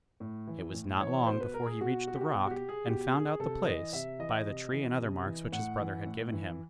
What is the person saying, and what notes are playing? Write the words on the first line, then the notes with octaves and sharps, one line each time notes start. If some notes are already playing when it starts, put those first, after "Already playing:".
It was not long before he reached the rock, and found out the place, by the tree and other marks which his brother had given him.
A2
E3
A2
E3 C#5
B2 C5
B4
A#4
G#4
B2 F#4
F#4
G4
F#4
B2 F#4
F#4
G4
G#4
B2 G4
G#4
C3 A4
E3 D#5
C3 E5
E3 D#5
C3
E3
C3
E3
A2 F#5
E3
A2
E3